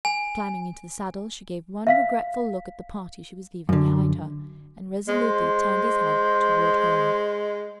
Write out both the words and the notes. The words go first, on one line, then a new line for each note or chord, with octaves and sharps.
Climbing into the saddle, she gave one regretful look at the party she was leaving behind her, and resolutely turned his head toward home.
G#5
E5 F5 B6
F#2 D3
G#3 C5